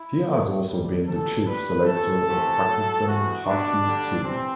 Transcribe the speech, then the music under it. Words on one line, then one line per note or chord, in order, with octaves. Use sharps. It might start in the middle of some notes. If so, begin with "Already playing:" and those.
He has also been the Chief Selector of Pakistan hockey team.
Already playing: E4
B2 A3
A2 G3
A2 E3 G3 A4
A2 G3 B4
C3 E3 A3 A4
C3 E3 A3
A2 F#3 A3
C3 E3 A3 F#4
B2 G3 D4
D3 G3
C3 E3 C4